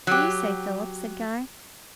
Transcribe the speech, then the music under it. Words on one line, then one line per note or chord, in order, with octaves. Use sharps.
'What do you say, Philip?' said Guy.
F#3 G4